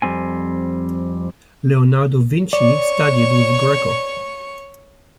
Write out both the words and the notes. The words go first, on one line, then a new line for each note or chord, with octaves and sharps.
Leonardo Vinci studied with Greco.
F2 G3 C4 G#5
C#5 D5 C#6